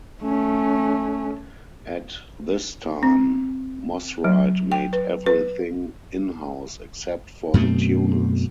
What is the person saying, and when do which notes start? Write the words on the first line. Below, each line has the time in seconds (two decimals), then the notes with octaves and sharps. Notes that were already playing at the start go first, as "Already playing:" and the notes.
At this time, Mosrite made everything in-house, except for the tuners.
0.23 A3 C#4
3.03 C4
4.24 F#3
4.72 G5
4.93 B4
5.26 B4
7.54 F#2 B2 A3 C4